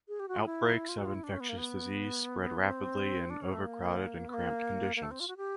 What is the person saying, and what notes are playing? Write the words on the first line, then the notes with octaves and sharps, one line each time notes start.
Outbreaks of infectious disease spread rapidly in overcrowded and cramped conditions.
G#4
G4
F#4
F4
E4
F4
F#4
F4
E4
D4
C#4
B3
A#3
B3
C4
D4
C#4
A3
A#3
B3
A#3
A#3
A3
C4
F4
F#4
G4